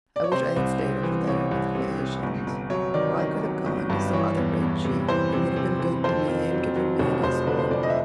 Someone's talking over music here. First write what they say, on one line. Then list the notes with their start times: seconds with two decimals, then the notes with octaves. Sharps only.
I wish I had staid over there with the Phaeacians; or I could have gone to some other great chief who would have been good to me and given me an escort.
0.16 D5
0.24 C#5
0.32 C3 C5
0.56 C2
0.80 C3
1.03 E3
1.27 C3 C#5
1.51 C2
1.75 C3
1.99 C3
2.23 G1
2.47 G1
2.70 F#3 C#5
2.94 D#3 D5
3.18 D#3
3.42 F#3
3.66 G1
3.90 G2
4.13 E3 C#5
4.37 E2
4.61 E2
4.85 C3
5.08 E3 C5
5.32 C3
5.56 C3
5.79 E3
6.04 F2 C5
6.28 F2
6.51 F#3
6.76 F#3
6.99 F1 C#5
7.23 F1 C5
7.47 D3 B4
7.59 C5
7.70 F1 D5
7.83 D#5
7.90 E5